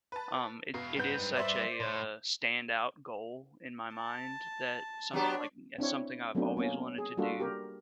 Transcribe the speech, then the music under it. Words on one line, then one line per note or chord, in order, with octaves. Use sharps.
um, it it is such a, uh, standout goal in my mind that some like, it's something I've always wanted to do.
B4 A5
B2 E4 F5
G#2 G3 B3 B4 F#5 G6
C5 D5 E5
A2 C6
A5
F#3 B3 D4 G4 C#5
C4 D4 E4 C#5
F#3 A3 B3 C4 D4 D#4
A#3 B3 C#4
G#4
G3 A#3 D4 F4 F#4 A4
G4 A#4